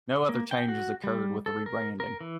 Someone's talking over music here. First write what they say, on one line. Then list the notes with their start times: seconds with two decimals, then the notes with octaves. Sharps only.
No other changes occurred with the rebranding.
0.29 A#3
0.51 G5
0.68 F#4
1.04 G3
1.46 A4
1.66 A#4
2.00 A#4
2.21 E3